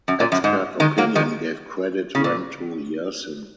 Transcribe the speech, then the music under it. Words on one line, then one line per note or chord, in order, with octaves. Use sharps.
Expert opinion gave credit went to Yersin.
F#2
A#2
F#2
G#2
D#3 G#3
F#3 A#3
D#3 G#3
C#3
A#2